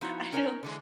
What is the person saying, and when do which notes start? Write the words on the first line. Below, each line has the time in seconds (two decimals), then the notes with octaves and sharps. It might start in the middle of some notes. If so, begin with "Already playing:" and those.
I don't,
0.01 F3 B3 D#4 E4 F#4
0.32 C#4 D#4 A#4 C#5 D#5 G#5
0.63 D3 E3 G#3